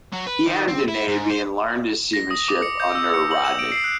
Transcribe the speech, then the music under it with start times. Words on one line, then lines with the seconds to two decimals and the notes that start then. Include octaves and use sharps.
He entered the navy and learned his seamanship under Rodney.
0.13 F#3
0.27 B4
0.46 D#3
0.68 C4
0.88 E4
1.08 G#2
1.30 C5
2.13 A#6
2.31 D#6
2.48 D6
2.62 C#7
2.80 G6
2.95 E6
3.14 C#7
3.31 F#7
3.44 E7
3.59 D7
3.72 C7
3.84 F#6